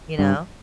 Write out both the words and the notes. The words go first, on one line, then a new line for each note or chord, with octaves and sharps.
you know?
G2